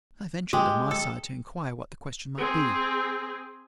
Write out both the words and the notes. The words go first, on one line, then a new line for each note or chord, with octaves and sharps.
I ventured, on my side, to inquire what the question might be.
G#3 G4
A4
C4 G#4